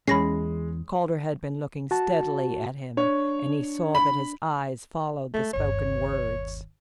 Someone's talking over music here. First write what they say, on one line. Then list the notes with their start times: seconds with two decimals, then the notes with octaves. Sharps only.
Calder had been looking steadily at him, and he saw that his eyes followed the spoken words.
0.08 B1 E2 G#3 C#4 B5 A#6 C7
1.91 F#4 A5
2.97 D4 C#5
3.95 B5
5.34 G#3 A3
5.53 G1 D#2 C#5